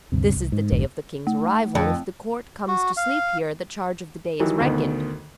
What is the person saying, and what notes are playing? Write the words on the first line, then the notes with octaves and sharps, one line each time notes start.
This is the day of the king's arrival; if the court comes to sleep here, the charge of the day is reckoned.
D2 G2 C3
C2
G#2
F1 F2 G#2 D3
A3
F2
F#4
F5
D#3 E3 F#3 G3
D2 B2 D#3